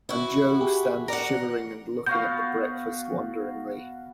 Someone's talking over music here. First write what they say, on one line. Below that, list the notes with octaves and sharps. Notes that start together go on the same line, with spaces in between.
And Jo stands shivering and looking at the breakfast wonderingly.
E4 F#4
G4 G#4
A#4 D5 F#5 A#6
B3 F#4 F5 G6